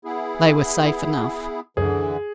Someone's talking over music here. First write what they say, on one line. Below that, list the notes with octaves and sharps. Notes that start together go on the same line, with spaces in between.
They were safe enough.
B3 E4 G#4
C#2 F#2 D3 E3 G#4